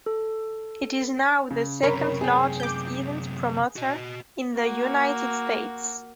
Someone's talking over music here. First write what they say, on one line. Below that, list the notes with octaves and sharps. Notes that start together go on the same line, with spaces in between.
It is now the second-largest event promoter in the United States.
A4
C#3
F#2 C3 A#4 C#5 B5
G#4 G5
D6 G6
F#4 D#5
A#3 F#4